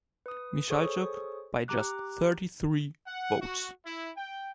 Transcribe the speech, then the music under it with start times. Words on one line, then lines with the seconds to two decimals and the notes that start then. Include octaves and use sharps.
Michalchuk by just thirty-three votes.
0.26 B4 D#6
0.70 G#4 A4 C5 C#5 C#6 D#6
1.68 G4 A#5 D6 F#6
3.07 F#5
3.41 F#4
3.85 E4
4.17 G5